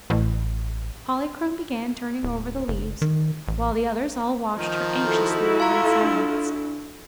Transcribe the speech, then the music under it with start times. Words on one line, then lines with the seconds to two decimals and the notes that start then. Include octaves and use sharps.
Polychrome began turning over the leaves, while the others all watched her anxiously and in silence.
0.10 A1
2.23 D1
2.68 F#1
3.02 D#3
3.48 A1
4.57 D#3 F3 D#4
5.05 E4 F#4 A4
5.60 F4 F5 A#5
6.03 D4